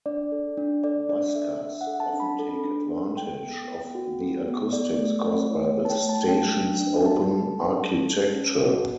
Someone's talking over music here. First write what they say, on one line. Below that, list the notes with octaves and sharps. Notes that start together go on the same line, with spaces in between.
Buskers often take advantage of the acoustics caused by the station's open architecture.
D4 D5
A4
D4
A4 D5
D4 D5
A4 E5
D4 E5
F#5
A4
A5
D4
B5
A4
D4
A4
A4 G5
B3
B3
F#4
A4
B3
A4 D5
A3
A3
E4 C#5
C#5
A4
A5
G5
A3
A5
A4 G5
D4
D4
F#4 A5
A4
D4
A4
C#4
C#4
F#4